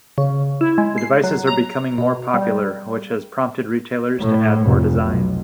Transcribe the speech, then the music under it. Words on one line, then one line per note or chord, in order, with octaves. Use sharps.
The devices are becoming more popular, which has prompted retailers to add more designs.
C#3
E4
G#3
C7
F#3
A#5
B2
G3
A2
F1
B1